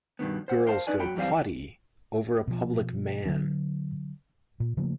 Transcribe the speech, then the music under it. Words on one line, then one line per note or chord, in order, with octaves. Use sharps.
Girls go potty over a public man.
G2 B2 D#3 B3
C5 F#5
A#4 C5 F5 A5
C#4 D#4 B4 D5 G#5
F#2 F#4 G5 B5
F#2 E3 G3 C4 F5
B2 F3
D3 E3 F#3 D4
A#2
C#3 F3 A3 A#3